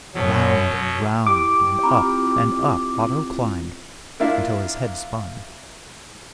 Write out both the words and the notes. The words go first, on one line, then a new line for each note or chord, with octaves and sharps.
Round and round and up and up Otto climbed, until his head spun.
F#2 B2 F#3
E4 G4 G5 C6 D6
C4 E4 F4 A#5 B5
A#3 D4 E4 F4